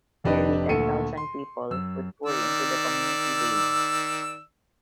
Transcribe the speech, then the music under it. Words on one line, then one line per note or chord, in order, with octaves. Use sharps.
Nearly ten thousand people would pour into the community daily.
F1 F2 D4 G4 B4 D#5
D2 A#2 A3 A4 C#7 D#7
C6
F#2 E6
D#3 D5 E6